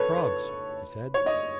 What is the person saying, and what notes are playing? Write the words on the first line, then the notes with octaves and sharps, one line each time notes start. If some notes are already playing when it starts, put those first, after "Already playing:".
"Frogs," he said.
Already playing: A4 B4 C#5
B4
C#5
D#5